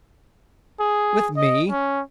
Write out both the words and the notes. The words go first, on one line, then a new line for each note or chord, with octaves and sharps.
"With me!"
G#4
D#5
C#4